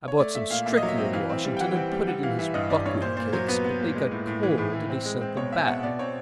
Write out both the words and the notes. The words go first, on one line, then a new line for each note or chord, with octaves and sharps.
I bought some strychnine in Washington, and put it in his buckwheat cakes; but they got cold, and he sent them back.
C#5
A3 D5
A3 E5
A#2 F5
A#2 E5
D#5
F#3
E5
C4
E3 F5
C4
G3
G5
E3 F#5
C4
G3
G3 F#5
E3 F5
E3 E5
G2 D#5
G2 D5
G2 C#5
A#2 C5
A#2 C5
F#3 C5
B3 B4
B3
A#2
G#3
A2
A2
E3
A2
A2
C4
G#3
C4
B2 C#5
C4 E5
B2 F#5
B2 D5
C4 C#5